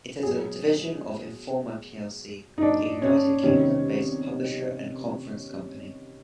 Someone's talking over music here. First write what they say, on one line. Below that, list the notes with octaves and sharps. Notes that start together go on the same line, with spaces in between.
It is a division of Informa plc, a United Kingdom-based publisher and conference company.
B2 F#3 G#4
D#4
D4
C#4
E2 C3 D#3 G3 C#4